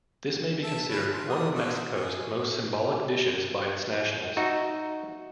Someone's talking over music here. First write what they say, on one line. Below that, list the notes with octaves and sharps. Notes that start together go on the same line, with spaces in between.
This may be considered one of Mexico's most symbolic dishes by its nationals.
E5 A5
C#4 B4
C6
D5 D#6
D3 F#4
G#4
D#4 F#4 E5